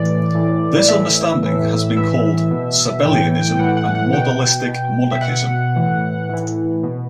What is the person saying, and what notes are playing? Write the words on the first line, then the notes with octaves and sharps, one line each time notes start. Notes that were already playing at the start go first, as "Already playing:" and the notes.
This understanding has been called Sabellianism and modalistic monarchianism.
Already playing: A2 E3 D5
A2 E3
A2 E3 E5
A2 E3
A2 E3 E5
B2
A2 E3 G5
G5
A2 E3 F#5
F#5
F#5
B2 G5
B2
E5
B2 F#5
A2 E3
A2 E3
B2